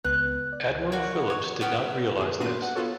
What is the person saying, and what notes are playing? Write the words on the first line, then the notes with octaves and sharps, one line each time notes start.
Admiral Phillips did not realize this.
C#2 B3 B4 F#6
D5
A#3 F#4
C#5
B3 C#4 G4
D#2 G#4
A#2 B3 D4 F#4 C6 D#7
F#5
B3 F4 F#4 A4 C#5